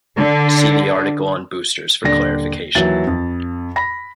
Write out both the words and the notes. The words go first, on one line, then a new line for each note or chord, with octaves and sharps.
See the article on Boosters for clarification.
D3
D#1 D3 D5 A#6
D#2 E3 F#3 A6
F2
B5 A#6